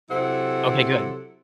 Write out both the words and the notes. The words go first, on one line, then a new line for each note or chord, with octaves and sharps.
Okay, good.
C3 F#3 C4 E4 A4 F#5